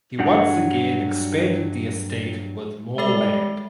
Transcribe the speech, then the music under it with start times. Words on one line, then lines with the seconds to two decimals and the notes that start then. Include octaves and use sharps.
He once again expanded the estate with more land.
0.19 G2 F#3 D4 G4 F#5
2.98 G3 G#3 A4 E5